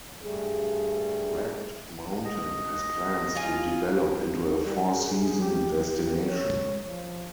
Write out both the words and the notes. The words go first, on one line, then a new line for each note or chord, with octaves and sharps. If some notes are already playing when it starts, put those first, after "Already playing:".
Ragged Mountain has plans to develop into a four season destination.
G2 G3 A3 G#4
D#5
F4 G#5
G3
G#4
G4
G4
C#5
F3